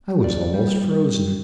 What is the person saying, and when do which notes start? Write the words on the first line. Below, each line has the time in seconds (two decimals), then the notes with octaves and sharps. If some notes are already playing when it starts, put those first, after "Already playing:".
I was almost frozen.
0.24 D5
0.54 G3